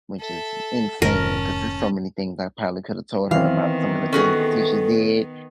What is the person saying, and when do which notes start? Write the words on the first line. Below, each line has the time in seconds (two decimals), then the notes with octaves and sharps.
which is insane 'cause there's so many things I probably coulda told her about, some of the things the teachers did,
0.20 A4 E5
1.02 F1 G#2 D#3 C#4 A#4 A5
3.31 D#3 E3 B3 C4 F5
4.13 C#4 F#4 G#4 A4